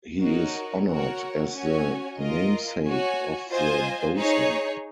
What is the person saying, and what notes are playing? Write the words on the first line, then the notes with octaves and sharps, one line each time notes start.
He is honoured as the namesake of the boson.
D#4 F#4 A#4 C#5
F#4 A#4 C#5 F#5
C#4 F#4 C#5 G#5
F4 A#4 D#5
F#4 C#5 G#5
F4 C5 D#5 G#5
D#4 G#4 C#5